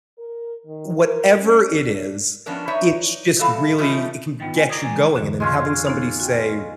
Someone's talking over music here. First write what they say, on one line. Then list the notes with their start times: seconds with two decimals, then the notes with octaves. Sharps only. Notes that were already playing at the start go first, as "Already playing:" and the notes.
Whatever it is, it's just really it can get you going. And then having somebody say,
0.18 A#4
0.66 D#3
1.03 A#4
1.39 C#4
1.81 D4
2.46 F3 B3 C#4 D4 A#4
2.68 D#4 B4 C#5 D5 E5
3.39 E3 G3 B3 A4 F5
3.78 E3 G3 A3 C#4 D#4 F4
4.40 D#3 B3 F4 G5
4.56 G#5
4.70 G#4 D5 A#5 D#6 G#6
4.83 E3 G#3 G#5
5.14 F2 D3 E3
5.40 G#3 C#4 F4
5.87 B3 D#4
6.20 F#4 G5